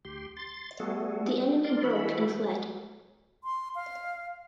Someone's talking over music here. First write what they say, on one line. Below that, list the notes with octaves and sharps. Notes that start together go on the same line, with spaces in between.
The enemy broke and fled.
D2 G4 C6
C6 A6
G3 A3 B3 F#4 G#4 A4
C4
A#4 D5 C6
E3 E4 F#4 A4 B5
C6
F5